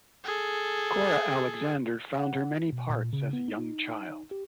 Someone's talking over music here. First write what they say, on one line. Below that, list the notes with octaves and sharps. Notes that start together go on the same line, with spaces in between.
Cora Alexander found her many parts as a young child.
G#4 A4
F#5
B2
A#2
C#3
B3
D#4
G4